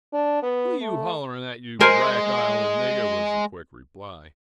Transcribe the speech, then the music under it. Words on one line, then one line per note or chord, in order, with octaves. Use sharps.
"Who you holl'rin' at, you brack island niggah?" was the quick reply.
D4
B3
A3
G#3 A#4 C5 G#5